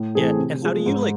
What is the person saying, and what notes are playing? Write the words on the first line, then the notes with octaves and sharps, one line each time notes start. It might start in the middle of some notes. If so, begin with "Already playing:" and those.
Yeah, and how do you, like
Already playing: A2
E3 A3 C4 G#4
C3
F3 G#3
G#2